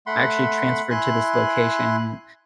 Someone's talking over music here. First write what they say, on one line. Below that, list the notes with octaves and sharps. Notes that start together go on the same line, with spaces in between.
I actually transferred to this location.
A3 F#5 B5 C6
E4 G#5 C6 F#6